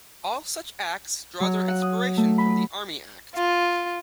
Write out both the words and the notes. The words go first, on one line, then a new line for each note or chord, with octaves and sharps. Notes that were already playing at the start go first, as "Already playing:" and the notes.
All such Acts draw their inspiration from the Army Act.
F#3
F#5
D#6
A3
B5
F4